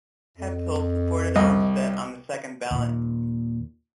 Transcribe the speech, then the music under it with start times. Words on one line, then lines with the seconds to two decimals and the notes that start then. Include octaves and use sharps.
Hemphill supported Anstett on the second ballot.
0.37 F2
1.36 C2 D#5
2.71 D#2 A#2